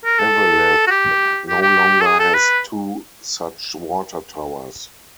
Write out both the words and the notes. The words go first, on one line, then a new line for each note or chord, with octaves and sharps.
Eveleth no longer has two such water towers.
A#4
A4
F#4
G4
G4
G4
A4
G#4
A4
B4